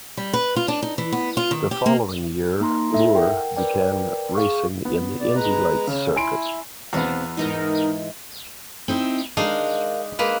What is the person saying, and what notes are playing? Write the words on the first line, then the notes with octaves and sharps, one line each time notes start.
The following year, Moore began racing in the Indy Lights circuit.
G3
B4
F4
D4
D#4
E3
B3
F4
D#3
G4
A#3
A#3 D#4 A#5 C6
E4 A4 E5
A#4 F#5 G5
A#4 B4 D5 G5
G#4 F5 C#6
B3
D5
G#3 B4 A#5
C#3
E4 G#5 C6 D7
E2 B2 B3 C4 F5
G#2 E3 G#3 D#4 A#4
C4 D#4 E4
G#3 D4 D#4 A#4 F5
G#3 A#3 B4